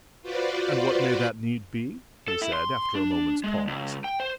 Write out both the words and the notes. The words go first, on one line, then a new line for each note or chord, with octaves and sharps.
"And what may that need be?" he said, after a moment's pause.
F4 F#4 B4 C5 D5
A4
E4
C6
D4
G#3
C#2
G5
C5